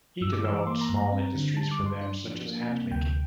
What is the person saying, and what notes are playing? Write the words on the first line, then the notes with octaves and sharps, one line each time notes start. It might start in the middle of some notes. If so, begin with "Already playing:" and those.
He developed small industries for them, such as hat making.
G2 E6
D6
E3 E6
D6
A#3 C6
A#5
G2
A#5
C4
D3
G3 A5
D6
G2
C6
D4
F3
A#3
C3
D2 G5